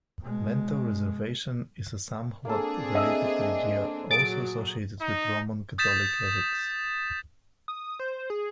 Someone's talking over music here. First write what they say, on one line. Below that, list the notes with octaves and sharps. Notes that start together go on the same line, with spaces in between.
Mental reservation is a somewhat related idea also associated with Roman Catholic ethics.
B2 G#3
A#3 C4 D4 G#4 A4
D#5 E5
A#2 F#3 G#4 A6 D7
D#4
D#6 G6 A6 B6 E7
D#6
C5
G#4